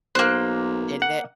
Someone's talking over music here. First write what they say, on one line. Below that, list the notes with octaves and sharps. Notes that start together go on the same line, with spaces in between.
Did it?
B1 A#3 C5 F#6
F#5